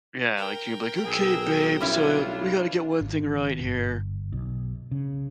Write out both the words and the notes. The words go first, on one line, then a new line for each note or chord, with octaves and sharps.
Yeah, like, you'll be like, "Okay, babe, so we gotta get one thing right here."
A#4 G5
B1 G#4 E6
G3 C#4 D4 E4 F4
G#1
G1
B1
C#3